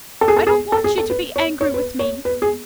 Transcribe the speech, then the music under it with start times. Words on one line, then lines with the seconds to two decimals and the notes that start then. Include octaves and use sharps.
But I don't want you to be angry with me.
0.21 A4
0.28 G#4
0.37 A4
0.47 G#4
0.72 A4
0.84 G#4
0.98 A4
1.10 B4
1.36 C#5
1.61 C#5
1.74 B4
1.99 C#5
2.25 B4
2.42 G#4